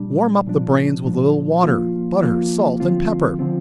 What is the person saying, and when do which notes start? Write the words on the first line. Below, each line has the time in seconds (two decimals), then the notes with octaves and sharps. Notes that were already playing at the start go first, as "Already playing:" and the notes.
Warm up the brains with a little water, butter, salt, and pepper.
Already playing: A#2 G3 D4
0.46 A#2 F3 D4
1.05 A#2 F3 D4
1.63 F3 A#3 F4
2.22 F3 A#3 F4
2.80 D3 F3 C4 F4
3.39 D3 F3 C4 F4